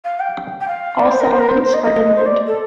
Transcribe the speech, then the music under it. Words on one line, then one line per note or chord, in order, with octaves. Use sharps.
All settlements are inland.
F5
G5
G5
F5
D5
C5
A#4
C5
A#4
C5
C5
D#5
D#5
C5
D5
A4